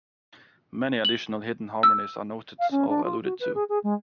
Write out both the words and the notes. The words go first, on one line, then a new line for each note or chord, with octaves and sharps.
Many additional hidden harmonies are noted or alluded to.
F#7
E6
F5
C#4
D4
F4
F#4
B4
G#4
G#4
G#3